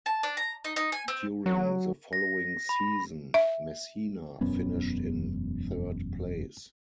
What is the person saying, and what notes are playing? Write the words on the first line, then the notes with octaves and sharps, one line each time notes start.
During the following season, Messina finished in third place.
A5
D4
A#5
D#4
D#4
G#5
C4
F#3
A#6
B5
E5
E1 F#2 B3 C#4